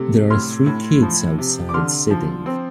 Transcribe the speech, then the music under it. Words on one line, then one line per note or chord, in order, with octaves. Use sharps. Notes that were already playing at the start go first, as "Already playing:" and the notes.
There are three kids outside sitting.
Already playing: C3 A3
A2 C6 F6
A2
F3
C3
D6
D3 C6 F6
F3
C4